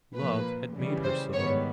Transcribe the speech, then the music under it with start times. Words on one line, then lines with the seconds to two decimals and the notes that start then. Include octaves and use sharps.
Love had made her so.
0.15 A#2 F3 A#3 B4
0.74 C#3 E3 G3
1.03 C5
1.32 G#2 D#3 G3 B3 C#5